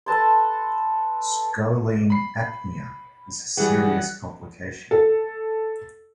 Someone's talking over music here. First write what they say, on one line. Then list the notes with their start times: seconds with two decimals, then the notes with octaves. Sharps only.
"Scoline apnea" is a serious complication.
0.06 A4 B4 A5 C6
2.10 B5 C7
3.57 E3 G3 G#4 F#5
4.91 A4